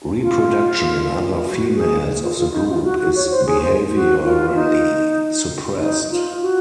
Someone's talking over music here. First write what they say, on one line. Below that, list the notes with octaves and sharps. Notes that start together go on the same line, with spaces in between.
Reproduction in other females of the group is behaviorally suppressed.
F4
F#4
G#4
F4
F4
D#4
F4
F#4
F#4
C#5
C5
G#4
C5
F#4
F4
D#4
D#4
F4
F#4